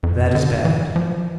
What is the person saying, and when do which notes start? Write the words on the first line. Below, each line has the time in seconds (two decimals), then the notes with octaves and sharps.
That is bad!
0.03 F2
0.35 D3
0.65 E3
0.96 F3